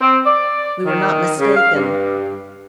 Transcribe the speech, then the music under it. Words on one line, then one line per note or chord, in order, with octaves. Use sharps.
We were not mistaken.
C4
D5
D#3
C#3
F5
G2